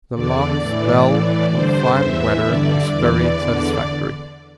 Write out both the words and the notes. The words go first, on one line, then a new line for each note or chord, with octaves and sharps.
The long spell of fine weather is very satisfactory.
E2 D3 D5
A2 E3
A2 E3
G2 D3 C5
E2 E3 E5
G2 D3 D5
E2 E3 D5
E2 D3